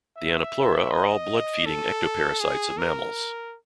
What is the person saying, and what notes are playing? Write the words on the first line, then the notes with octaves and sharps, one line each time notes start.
The Anoplura are all blood-feeding ectoparasites of mammals.
E5
D#5
A4
G#4
A#4